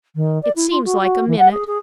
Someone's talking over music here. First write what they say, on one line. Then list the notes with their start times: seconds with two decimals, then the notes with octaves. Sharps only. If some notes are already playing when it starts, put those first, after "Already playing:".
It seems like a minute.
0.15 D#3
0.43 D5
0.55 E4
0.70 F4
0.85 F#4
1.01 F#4
1.27 E3
1.38 F#5
1.51 G#4
1.67 G#4